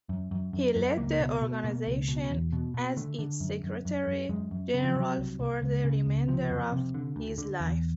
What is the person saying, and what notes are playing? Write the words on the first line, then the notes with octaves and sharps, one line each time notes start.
He led the organisation as its secretary general for the remainder of his life.
F#2
F#2
F#2
F#2
C#2 A#3
B2
B2
B2 A#3
C#2
B2
E2
B2
B2
D3 A3
D3
F#2
F#2
F#2
F#2
F#2 G#3
F#2
C#3
F3
C3 F#3
C2
C2
C#2
C#3
C#2
C3 F3
F2
C3
D3
D2
D3
E2